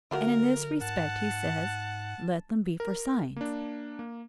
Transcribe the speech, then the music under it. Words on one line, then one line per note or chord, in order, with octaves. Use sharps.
And in this respect he says: "Let them be for signs."
D3 F#3 A3 F4 A#4
G#2 F#5 A5
A#4
A#3 D4
A#3